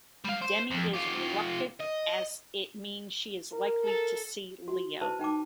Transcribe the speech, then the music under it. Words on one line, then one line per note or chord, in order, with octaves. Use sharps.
Demi is reluctant, as it means she is likely to see Leo.
G3 F5
C5
F2
F4 G4
D#5
A#4
A4
F#4
E4 B4 C5 A5
D#4 G5 A5 D6